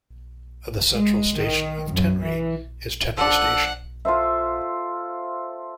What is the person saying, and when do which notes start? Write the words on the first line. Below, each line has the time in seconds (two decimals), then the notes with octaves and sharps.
The central station of Tenri is Tenri Station.
0.96 G#3
1.36 D#3
1.91 F#2
2.22 E3
3.17 F3 D4 A4 F#5
4.05 F4 A4 C5 E5